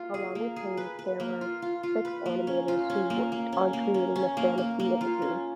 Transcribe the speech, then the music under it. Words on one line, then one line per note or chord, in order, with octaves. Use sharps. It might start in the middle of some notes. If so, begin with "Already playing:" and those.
Along with Hayes, there were six animators who worked on creating the fantasy imagery.
Already playing: A#3 F4
G#4
A#3
G#4
B4
B4
A#3
F4
F4
F4
B4
A#3
C#4
F4
C#4
A#3
A#3
C#4
A#3
C#4
C#4
A#3
A#3
A#3
F4
C#4